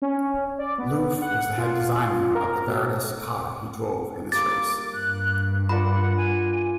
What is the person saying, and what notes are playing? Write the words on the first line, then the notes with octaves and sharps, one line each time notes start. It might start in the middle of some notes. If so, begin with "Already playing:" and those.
Loof was the head designer of the Veritas car he drove in this race.
C#4
D5
B3
F#5
F4
A#4
B2
G3 A#3 D6 A6
G2 F#6
F4 A#4 D5 F#5 B5
G#5